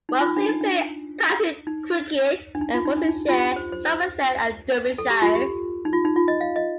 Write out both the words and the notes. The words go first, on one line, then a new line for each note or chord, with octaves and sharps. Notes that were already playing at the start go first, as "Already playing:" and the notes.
Rumsey played county cricket for Worcestershire, Somerset and Derbyshire.
D#4
F4
D#4
D4
D#4
D4
D#4
D4
D#4
F4
D#4
D4
D#4
F4
G4
C5
C5
C5
A4
G4
F4
G4
D#4
F4
D#4
F4
D#5
F5
D#5